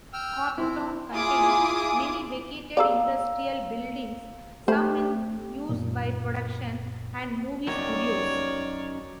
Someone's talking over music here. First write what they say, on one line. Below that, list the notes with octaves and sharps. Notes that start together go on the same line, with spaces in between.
Corktown contains many vacated industrial buildings, some in use by production and movie studios.
G5 E6 F6
C4 E4
E4 F4 G#4 G#5 D6 D#6
G#4 A4 D5 F5 A#5 E6
A3 G4 C5 B5
F#2 A#2
F#2 D#3 C#5 D5